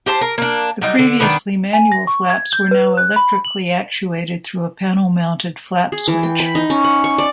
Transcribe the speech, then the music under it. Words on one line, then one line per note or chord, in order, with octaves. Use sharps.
The previously manual flaps were now electrically actuated through a panel-mounted flap switch.
G4 C5 A5
A#4
A#3 D4
F#3 G3 D#4
D3
D#3 B3 D4 B4
G#5
A#6
C#6
G#6
G6
B4
F#6
B5
F#7
G#4
E3
G5
B5
D#4
C#4
F#5
C#6
D5